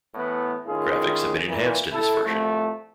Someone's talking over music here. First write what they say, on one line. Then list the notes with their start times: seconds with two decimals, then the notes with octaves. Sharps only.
Graphics have been enhanced in this version.
0.15 A2 E3 B3
0.66 A2 D#3 C#4 F4 G#4
1.47 A#2 E3
1.92 E4 A4
2.25 C2 F2 A3